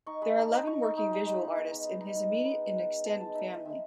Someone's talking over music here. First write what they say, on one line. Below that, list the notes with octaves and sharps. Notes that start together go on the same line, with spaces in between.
There are eleven working visual artists in his immediate and extended family.
D#4 C#6
G#3 B5
D#4 A5
D#4 B5
D#4 C#6
D#4
D#4
G#3
G#3 B5
D#4
B3
D#4
G#3
D#4
D#4
B3
B3
G#3
B3
G#3
B3 A5
G#3 A5
D#4 E5
G#3 D#5
G#3 E5